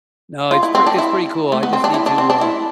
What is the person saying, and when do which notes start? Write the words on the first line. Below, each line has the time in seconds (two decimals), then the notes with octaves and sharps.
No, it's p it's pretty cool, I just need to, uh,
0.51 F4
0.63 E4
0.75 C4
0.87 D4
0.98 E4
1.52 A3
1.63 B3
1.73 C4
1.84 D4
1.94 E4
2.06 D4
2.18 C4
2.30 D4
2.41 E4